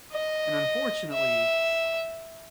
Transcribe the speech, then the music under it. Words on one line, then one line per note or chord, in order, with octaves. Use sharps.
and unfortunately,
D#5
E5